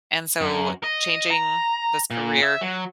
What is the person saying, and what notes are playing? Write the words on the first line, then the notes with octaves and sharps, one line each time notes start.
and so changing this career,
F#2
D#5
A#5
A#2
E5
F#3